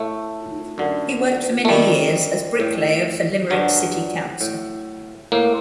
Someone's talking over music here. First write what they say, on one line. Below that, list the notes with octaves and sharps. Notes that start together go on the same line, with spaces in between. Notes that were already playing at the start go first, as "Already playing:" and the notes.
He worked for many years as bricklayer for Limerick City Council.
Already playing: A2 A3
F#2 D3
A3
F#2 D#3 G3
A2
G2 D3 F#3
A2
A2 A#3